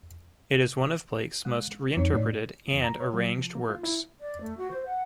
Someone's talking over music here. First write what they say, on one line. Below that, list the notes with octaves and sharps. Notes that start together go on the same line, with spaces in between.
It is one of Blake's most reinterpreted and arranged works.
G#3
F2 C4 D#4 C#5
A2 C#5 D5
E2
A#5
C#5
F#3
F3
A#3
F4
E4
D5
A3
F#4
C5
F#5